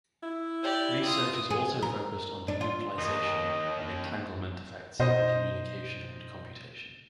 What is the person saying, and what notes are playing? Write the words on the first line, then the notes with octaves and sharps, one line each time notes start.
Research is also focused on the utilization of entanglement effects in communication and computation.
E4
G4 D5
F4 D#6
G#4
A#4
D4
F4
D#2 D#5
B2 D#4 C5 D#5